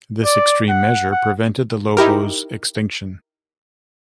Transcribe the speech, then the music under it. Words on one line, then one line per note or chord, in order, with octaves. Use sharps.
This extreme measure prevented the lobos' extinction.
D5
F#5
F#5
D#4 E4 G4 A#4